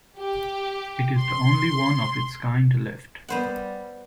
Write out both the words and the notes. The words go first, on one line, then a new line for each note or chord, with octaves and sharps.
It is the only one of its kind left.
G4
C6
G3 B3 C5 F#5